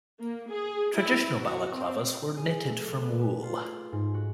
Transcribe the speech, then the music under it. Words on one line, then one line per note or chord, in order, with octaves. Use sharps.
Traditional balaclavas were knitted from wool.
A#3
G#4
E4
F#4
C4
G#4
A3
B4
F4
G#2
F#4